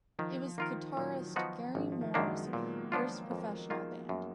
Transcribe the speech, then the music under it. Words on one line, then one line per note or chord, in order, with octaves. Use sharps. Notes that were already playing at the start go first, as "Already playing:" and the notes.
It was guitarist Gary Moore's first professional band.
D#3 F3
D#3 A#3 F4 A#4
A#2 F#3
F3 B3 D#4 F#4
G#1 F3
F3
D#3
F#2 D#3 G#3 A#3 D4
F#3
B3
A#2 A#3
F3 B3 D4 F4
F2
D#3 A#3 F4 G#4
F#2